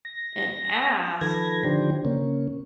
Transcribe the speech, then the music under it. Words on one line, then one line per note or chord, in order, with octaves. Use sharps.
and ask,
A#6
D#3 F3 A4 B4 G#6 A#6
D3 D#3 F3 D4 G4 C5
C#3 A#3 C#4